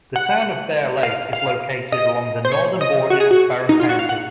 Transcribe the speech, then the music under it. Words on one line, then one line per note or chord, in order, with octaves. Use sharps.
The town of Bear Lake is located along the northern border of Barron County.
F#5
F5
F5
D#5
C5
C#5
D#5
F#4
G#4
F#4
D#4
F4
F#4
F5
F#5